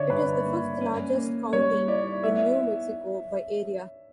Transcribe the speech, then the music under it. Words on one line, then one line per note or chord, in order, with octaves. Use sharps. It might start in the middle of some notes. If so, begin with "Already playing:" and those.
It is the fifth-largest county in New Mexico by area.
Already playing: D3 C#5 D5 E5
G2 B4
A#3
C#4
A#3
G3 C#5
E4 D5
B3 E5